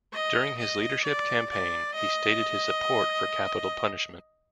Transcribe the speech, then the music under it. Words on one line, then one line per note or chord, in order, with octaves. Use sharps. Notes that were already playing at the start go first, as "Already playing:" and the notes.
During his leadership campaign he stated his support for capital punishment.
D#5
D#5
D5
D5
D#5